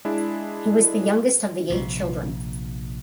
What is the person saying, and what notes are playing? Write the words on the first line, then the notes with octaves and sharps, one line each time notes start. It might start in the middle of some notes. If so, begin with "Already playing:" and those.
He was the youngest of the eight children.
G#3 D4 E4
A#1 C3